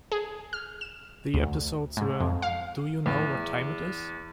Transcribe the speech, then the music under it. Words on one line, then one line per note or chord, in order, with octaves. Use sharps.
The episodes were Do You Know What Time It Is?
G#4
F6
E7
D2
G#2
F2
F5
E2